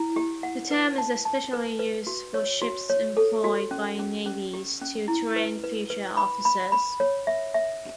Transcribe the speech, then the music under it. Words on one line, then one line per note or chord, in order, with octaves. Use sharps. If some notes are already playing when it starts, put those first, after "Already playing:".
The term is especially used for ships employed by navies to train future officers.
Already playing: E4
G4
F#5
B4
A5
A5
B4
B4
F#4
C#5
F#4
C#5
A4
F#4
C#4
C#4
C#4
G4
C#4
E4
B4
B4
B4
B5
B5
B5
C#5
E5
E5